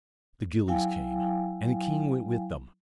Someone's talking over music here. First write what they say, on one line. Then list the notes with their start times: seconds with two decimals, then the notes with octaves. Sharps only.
The gillies came, and the king went with them.
0.68 F#3 E4 F5 G5 G#5